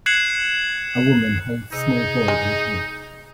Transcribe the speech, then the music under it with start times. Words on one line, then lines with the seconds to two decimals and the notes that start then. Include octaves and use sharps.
A woman holds small boy on a couch.
0.06 F#6 G#6 C7 C#7 E7 F#7
1.73 C3 D#4 G#4 D#5
2.28 G#3